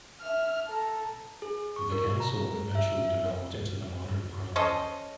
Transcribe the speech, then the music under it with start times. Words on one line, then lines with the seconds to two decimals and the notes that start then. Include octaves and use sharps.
The Council eventually developed into the modern Parliament.
0.20 E5 F6
0.66 A4 A#5
1.42 G#4
1.76 C#6
1.92 A#4
2.20 A#5
2.75 E5
3.04 E5
4.56 C#4 A4 C5 D#5